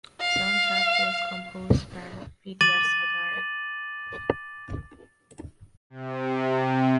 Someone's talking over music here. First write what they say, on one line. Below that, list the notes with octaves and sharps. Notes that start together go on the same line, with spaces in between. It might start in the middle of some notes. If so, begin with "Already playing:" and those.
Soundtrack was composed by Vidyasagar.
F5
D6 A6 D#7 F#7
C3